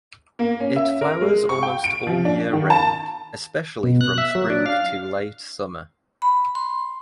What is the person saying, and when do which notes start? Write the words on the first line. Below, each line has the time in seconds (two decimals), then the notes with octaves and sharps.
It flowers almost all year round, especially from spring to late summer.
0.39 A#3
0.60 C#4
0.76 E5
1.01 A#4
1.21 G#3
1.49 C#6
1.63 G5
1.84 D7
2.07 F3
2.25 D4
2.53 D#3
2.70 A5
3.83 B2
4.01 F#6
4.18 E5
4.35 F#3
4.50 D4
4.66 F5
6.22 B5
6.55 C6